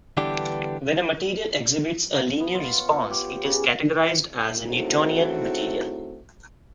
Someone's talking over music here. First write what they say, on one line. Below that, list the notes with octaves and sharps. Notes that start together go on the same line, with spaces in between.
When a material exhibits a linear response it is categorized as a Newtonian material.
D3 E3 G3 B3 D4 G4
B3
F4
C#5
C#5
G4
C#3
C#3 A3 C4 D#4 E4 F#4